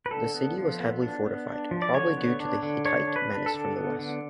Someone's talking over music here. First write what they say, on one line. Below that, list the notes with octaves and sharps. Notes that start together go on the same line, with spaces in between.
The city was heavily fortified, probably due to the Hittite menace from the west.
B4
D3 A4
B3
F3
B3
D4
B3
D4
F3
D5
D3 C#5
B3
D4
D3
D4 C#5
D4
B4
D4
A4
D3
B3
D3